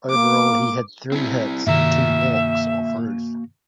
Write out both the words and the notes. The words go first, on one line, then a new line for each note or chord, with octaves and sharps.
Overall, he had three hits and two walks off Ruth.
A#3 D6
C4 E4
G2 C3 D#3 A#3 F#4 E5 A#5